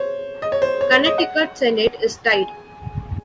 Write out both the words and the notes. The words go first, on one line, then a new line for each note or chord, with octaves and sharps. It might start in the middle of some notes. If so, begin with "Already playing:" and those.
Connecticut Senate is tied.
Already playing: C5 C#5
D#5
C#5
C5
C#5
C#5
D#5
F#5
G#5